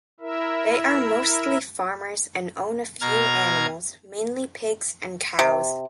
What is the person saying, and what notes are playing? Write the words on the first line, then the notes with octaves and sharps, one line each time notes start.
They are mostly farmers and own a few animals, mainly pigs and cows.
E4 A#4 E5
B2 A#5 F6 G#6
C3